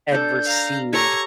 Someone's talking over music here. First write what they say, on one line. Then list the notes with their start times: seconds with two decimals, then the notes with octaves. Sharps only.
and received
0.12 D4 A4 G6
0.45 F5 A#5
0.93 G4 A4 C#5 A#5 C#6 G#6